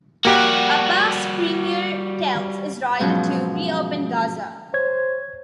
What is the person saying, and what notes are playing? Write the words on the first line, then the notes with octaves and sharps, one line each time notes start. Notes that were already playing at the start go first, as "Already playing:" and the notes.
Abbas's Premier Tells Israel to Reopen Gaza.
G3 A#3 F#4 G4 F#5
G#2 B2 F3 F#3 C#4 F#4
C5 C#5 G#6